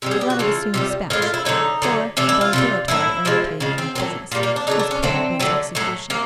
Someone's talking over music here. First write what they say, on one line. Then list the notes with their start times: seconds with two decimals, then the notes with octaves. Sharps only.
His letter was soon dispatched; for, though dilatory in undertaking business, he was quick in its execution.
0.02 C3 D#3 G3 G4
0.11 G#4
0.21 G4
0.30 F#4
0.39 C#3 E3 A3 F4
0.74 C3 E3 G3
1.10 A2 F3 G#3 F4
1.22 F4
1.34 E4
1.45 D3 F#3 A3 D#4
1.82 D3 F#3 A3
2.17 C3 E3 A3 D4
2.29 E4
2.41 F4
2.53 C3 E3 G3
2.88 A2 F#3 A3 E4
3.25 C3 F3 G#3
3.60 C#3 F3 G#3
3.78 C4
3.95 A#2 F#3 A3 C4
4.31 A#2 A#3
4.35 G3
4.43 A#3
4.56 D4
4.67 C#3 F#3 A3 D#4
4.79 D4
4.91 C#4
5.02 D3 F#3 A3 C4
5.40 D3 F#3 A3
5.75 A2 F#3 A3
6.10 C3 A#3